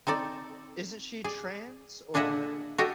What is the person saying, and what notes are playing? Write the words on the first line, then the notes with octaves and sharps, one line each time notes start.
isn't she trans or
C4 D#4 A4 D5
G#4 D5
A#2 D4 G#4 D#5 E5 F#5
F#4 G4 A4 D#5 G5